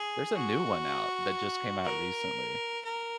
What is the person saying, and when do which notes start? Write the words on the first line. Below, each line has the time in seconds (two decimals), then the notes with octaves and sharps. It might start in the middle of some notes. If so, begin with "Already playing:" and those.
There's a new one out that just came out recently.
Already playing: G#4
0.35 F#4
1.85 A#4
2.85 A#4